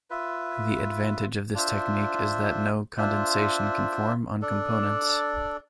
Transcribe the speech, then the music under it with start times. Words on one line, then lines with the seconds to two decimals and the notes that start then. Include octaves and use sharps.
The advantage of this technique is that no condensation can form on components.
0.10 F4 B4 E5
1.54 D4 F4 C5 E5
2.97 D4 F4 C5 E5
4.42 D4 A4 D5